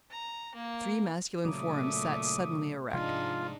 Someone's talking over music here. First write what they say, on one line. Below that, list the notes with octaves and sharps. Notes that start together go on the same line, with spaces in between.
Three masculine forms sat suddenly erect.
A#5
A#3
A#2 C#3 F#3 A3 D6 D#6
G#2 C3 F3 G#3 D4 D#4 F4